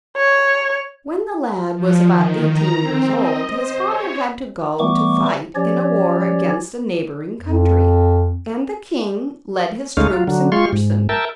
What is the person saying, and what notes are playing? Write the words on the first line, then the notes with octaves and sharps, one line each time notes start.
When the lad was about eighteen years old his father had to go to fight in a war against a neighbouring country, and the king led his troops in person.
C#5
F3
D#3
A#5
C4
D#5
C5
C#5
E3 G3 A3 B3 C#6 D6
F3 C#4 G4 C#5 D5
F2
D2 G#3 A3 C#4 D#4 F5
F#3 F4
D3 F#3
G#3 F4 C6 C#6
G#2
A#4 E5 G5 A5